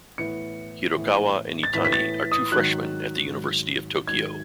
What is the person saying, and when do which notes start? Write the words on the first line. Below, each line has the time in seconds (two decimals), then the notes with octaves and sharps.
Hirokawa and Itani are two freshmen at the University of Tokyo.
0.18 A2 E3 B3 E4 C#7
0.96 A2 E3 B3 E4
1.63 A6
1.74 A2 E3 B3 E4 B6
1.85 B6
1.93 A6
2.31 D#6
2.51 G#2 D#3 F#3 F#6
3.30 G#2 D#3 F#3
4.07 G#2 D#3 F#3 G#6